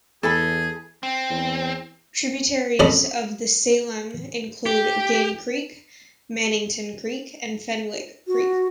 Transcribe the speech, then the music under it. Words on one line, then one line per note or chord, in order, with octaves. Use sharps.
Tributaries of the Salem include Game Creek, Mannington Creek, and Fenwick Creek.
E2 G#4 A4 G#5 B5
C4
E2
F2 C#4 A4 D#5 B5 D#6
G4
F#4